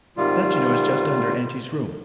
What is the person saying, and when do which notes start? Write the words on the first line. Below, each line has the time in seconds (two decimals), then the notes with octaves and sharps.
That you know is just under auntie's room.
0.17 G#2 C3 D#3 G3 F4